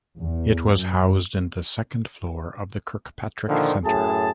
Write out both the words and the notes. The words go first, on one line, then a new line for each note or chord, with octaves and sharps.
It was housed in the second floor of the Kirkpatrick Center.
E2
F#2
A#2 D3 D#3 F3
F#2 A2 G#4 A5